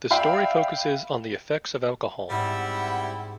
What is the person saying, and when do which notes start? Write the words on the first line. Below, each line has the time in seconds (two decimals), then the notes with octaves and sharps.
The story focuses on the effects of alcohol.
0.11 D5 E5 F5 G5 B5
2.30 G#2 G3 C4 E4 F#5